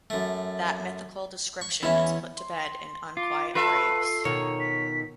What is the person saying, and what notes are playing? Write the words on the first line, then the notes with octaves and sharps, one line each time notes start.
That mythical description is put to bed in "Unquiet Graves".
F#2 A3
C#6
E2 C#4 E4 C#5 E5
C6
F4 D6
F4 A4 B4 E5 C7
B2 D#3 C#5
B6